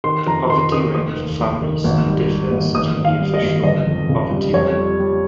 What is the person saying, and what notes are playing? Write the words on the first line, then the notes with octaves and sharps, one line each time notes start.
The poverty rate for families differs from the official poverty rate.
D#3 C6
F2 A#5
D#3 C6
D#3 D#6
F1 D#6
D#2
F1
D#3
G#1
G3
G3
G#1
G#1 D#6
G#1
F5
G3
D#5
G#1
G1 D#5
F2
C#3
G3
F2 C#5
G3
G3